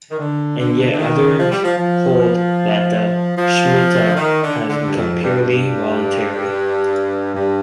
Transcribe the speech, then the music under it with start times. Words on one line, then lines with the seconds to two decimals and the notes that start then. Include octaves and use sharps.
And yet others hold that the Shmita has become purely voluntary.
0.11 D#3
0.18 D3
0.59 D3
0.93 D3
0.98 D#3
1.38 F3
1.51 G3
1.64 F3
1.77 F3
3.36 F3
4.09 D3
4.16 D#3
4.43 D3
4.69 D3
4.87 G2
4.96 F2
5.23 G2
5.49 G2
7.35 G2